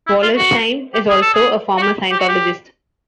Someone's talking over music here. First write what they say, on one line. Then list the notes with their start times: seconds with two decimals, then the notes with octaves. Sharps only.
Wollersheim is also a former Scientologist.
0.07 E4
0.22 F4
0.37 F#4
0.94 G4
1.09 G#4
1.21 A4
1.34 G#4
1.78 F#4
1.82 G4
2.11 G4
2.19 F#4
2.28 G4